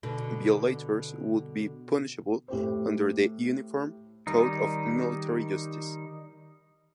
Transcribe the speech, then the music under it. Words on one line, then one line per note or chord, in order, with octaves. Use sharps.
Violators would be punishable under the Uniform Code of Military Justice.
B2 D3
A2 G4 C5
D#3 G3 D#4